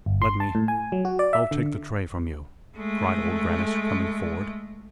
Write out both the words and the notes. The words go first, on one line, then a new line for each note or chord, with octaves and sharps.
"Let me--I'll take the tray from you," cried Old Grannis, coming forward.
G1
C6
A5
A2
G#5
F#3
F#4
D5
E5
D3
G#3 A3